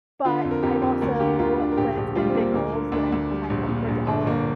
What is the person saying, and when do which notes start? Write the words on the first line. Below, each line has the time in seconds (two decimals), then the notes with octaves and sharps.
but I've also when it's been big goals that I'm trying to work towards, I'll
0.25 D3 F4
0.45 F2
0.51 A#4
0.63 F2 G4
0.82 F2
1.01 D2 A#4
1.20 D3 G4
1.36 G4
1.39 D2 F4
1.58 D2 D4
1.72 A#4
1.77 A#1 G4
1.97 A#1 G4
2.15 G3 F4
2.30 C4
2.35 A#2 A#3
2.54 D2 A#3
2.73 D3
2.92 D2 D4
3.12 D2
3.31 G3
3.50 A#1
3.69 A#2
3.88 A#1
4.07 G1 D4
4.26 G1 A#3